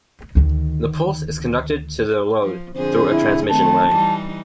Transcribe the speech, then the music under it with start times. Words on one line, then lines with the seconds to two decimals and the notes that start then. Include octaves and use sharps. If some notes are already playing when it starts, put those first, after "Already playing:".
The pulse is conducted to the load through a transmission line.
0.35 D2 D#3
2.43 F3
2.75 F2 D3 G#4 C5
3.10 E4
3.49 D#3 A3 C4 A5
3.91 E3 G3 D#4